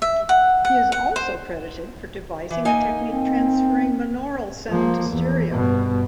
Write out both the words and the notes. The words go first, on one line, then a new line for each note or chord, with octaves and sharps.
He is also credited for devising a technique transferring monaural sound to stereo.
E5
F#5
F#5
F#5
C5
E3
A#3 D#4 G#5
C4
F3 A#3
E2
G2 B2